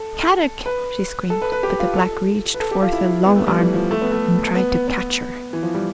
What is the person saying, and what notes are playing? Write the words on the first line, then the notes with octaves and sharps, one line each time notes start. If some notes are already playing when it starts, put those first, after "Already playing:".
"Kadok!" she screamed, but the Black reached forth a long arm and tried to catch her.
Already playing: A4
B4
A4
B4
B4
G4
F4
A4
B4
A4
G4
F4
E4
B3
A3
G3
E3
F3
A3
B3
A3
B3
B3
B3
E3
F3
G3